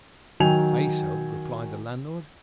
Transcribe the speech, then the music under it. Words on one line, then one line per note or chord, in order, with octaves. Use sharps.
"Say so!" replied the landlord.
D#3 F#3 G5 G#5 F7